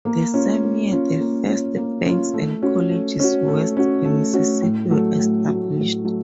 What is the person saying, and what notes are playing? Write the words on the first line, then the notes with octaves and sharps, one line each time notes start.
The same year, the first banks and colleges west of the Mississippi were established.
A#3
C#4 F4
A#3
C#4 F4
A#3
C#4 F4
A#3
C#4 F4
A3
C#4 F#4
A3
C#4 F#4
A3
C#4 F#4
A3
C#4 F#4
A2
F#3 A3
A2
F#3 A3
A2
F#3 A3